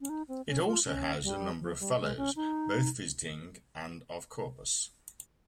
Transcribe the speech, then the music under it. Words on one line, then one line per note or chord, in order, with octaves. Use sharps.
It also houses a number of fellows, both visiting and of Corpus.
C#4
D#4
C4
C#4
F4
C#4
G3
F3
G3
G#3
C#4
D#4